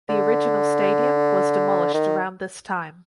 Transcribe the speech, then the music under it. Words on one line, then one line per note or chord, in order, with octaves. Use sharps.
The original stadium was demolished around this time.
D3
D#3